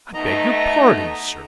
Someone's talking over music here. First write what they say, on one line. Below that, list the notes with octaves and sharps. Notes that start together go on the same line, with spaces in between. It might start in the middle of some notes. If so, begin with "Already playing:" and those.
I beg your pardon, Sir.
B2 A3 D#4 D#5 A#5